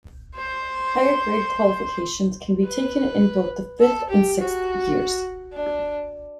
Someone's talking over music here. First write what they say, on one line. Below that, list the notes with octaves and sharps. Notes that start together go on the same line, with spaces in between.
Higher Grade qualifications can be taken in both the fifth and sixth years.
C5
B4
A4
G4
F#4
D4